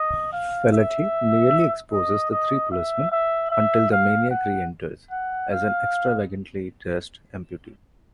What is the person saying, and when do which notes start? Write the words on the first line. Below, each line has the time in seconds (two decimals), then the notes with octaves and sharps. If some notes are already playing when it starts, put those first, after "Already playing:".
Feletti nearly exposes the three policemen, until the Maniac reenters, as an extravagantly-dressed amputee.
Already playing: D#5
0.33 F5
0.73 E5
1.92 D#5
2.32 D#5
2.72 E5
3.12 E5
3.51 E5
3.92 F5
4.31 F#5
5.11 F#5
5.51 F5